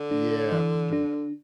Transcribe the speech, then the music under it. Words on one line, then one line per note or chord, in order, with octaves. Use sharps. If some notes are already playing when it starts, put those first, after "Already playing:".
Yeah, for sure.
Already playing: D3
D4
E3
D4